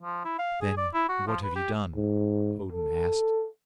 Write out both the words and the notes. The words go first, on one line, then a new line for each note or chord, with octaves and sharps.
"Then, what have you done?" Odin asked.
F3
E4
F5
G#4
D5
E4
F#4
F3
B4
G4
G#2
A4